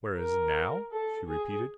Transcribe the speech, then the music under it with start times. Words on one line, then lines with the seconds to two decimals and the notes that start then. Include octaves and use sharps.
"Whereas now?" she repeated.
0.18 A#4
0.92 A4
1.28 G#4